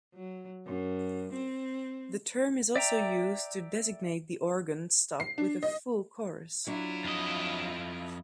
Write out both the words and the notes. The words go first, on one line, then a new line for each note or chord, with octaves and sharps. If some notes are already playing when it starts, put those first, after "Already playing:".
The term is also used to designate the organ stop with a full chorus.
F#3
F#2
C4
D5 E5 G5 A#5
C7
D4
D#5
F#3 D4 E4 F4
F2 D#5